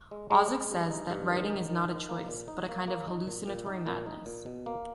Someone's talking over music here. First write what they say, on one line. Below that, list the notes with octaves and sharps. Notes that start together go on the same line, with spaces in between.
Ozick says that writing is not a choice but a kind of hallucinatory madness.
G#3
G#3
G#3
G2
D#4
G2
D#3
D#4
D#3
D#3
A#3
A#2
D#4
A#3
A#3
D#4
A#2
A#2
D#4
A#2
D#4
A#2
B2
A#3